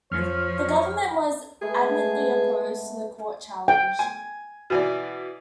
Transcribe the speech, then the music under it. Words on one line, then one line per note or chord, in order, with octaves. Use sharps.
The Government was adamantly opposed to the court challenge.
F2 F3 C#5 F6
G#3 A3 G#4 B4
B3
G5
G#5
B2 E3 D5